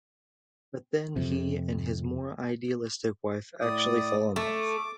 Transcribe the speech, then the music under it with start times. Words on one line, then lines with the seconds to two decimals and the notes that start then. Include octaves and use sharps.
But then he and his more idealistic wife actually fall in love.
1.16 F2 C3
3.61 A2 D5 D#6
4.36 A3 D6